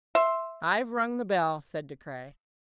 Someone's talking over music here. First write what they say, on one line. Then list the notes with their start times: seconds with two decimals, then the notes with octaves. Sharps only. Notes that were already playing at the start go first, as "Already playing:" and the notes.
"I've rung the bell," said De Craye.
0.15 E5 C6